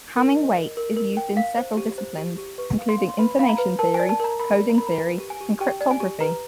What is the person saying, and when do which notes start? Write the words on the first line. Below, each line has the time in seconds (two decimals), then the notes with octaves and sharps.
Hamming weight is used in several disciplines including information theory, coding theory, and cryptography.
0.16 A#4
0.36 D#5
0.57 A#4
0.77 A#4
0.96 A#4
1.17 G5
1.37 F5
1.58 C5
1.77 G4
1.98 C5
2.18 G4
2.38 G4
2.58 B4 C#6
2.78 F5
2.89 C6
2.98 F5
3.09 C6
3.19 B4 B5
3.39 F5 B5
3.49 A#5
3.58 B4
3.79 A#4 A5
3.94 G#5
4.00 D5
4.09 A5
4.20 A#4 A#5
4.40 A#4 B5
4.59 D5
4.70 A#5
4.78 A#4 B5
4.87 A#5
4.99 B4 G#5
5.20 G4
5.30 G#5
5.40 G4
5.60 G4 G5
5.81 D5
5.91 G#5
6.00 G4
6.20 B4 A#5